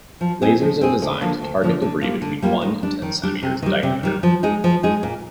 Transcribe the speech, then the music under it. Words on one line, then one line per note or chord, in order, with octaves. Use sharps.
Lasers are designed to target debris between one and ten centimeters in diameter.
F3
C4 D#4 G#4
F3
C4 D#4 G#4
D2
D3 F3 A#3
D2
D3 F3 A#3
D3
G3 A#3 F4
D3
G3 A#3 F4
D#3
G3 D4
D#3
G3 D4
C3
D#3 G3
C3
D#3 G3
F3
G#3 D#4 G#4
F3
G#3 D#4 G#4
A#2